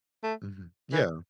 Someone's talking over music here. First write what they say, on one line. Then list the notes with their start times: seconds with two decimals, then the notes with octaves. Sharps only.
Mhm, yeah.
0.24 A3
0.92 E3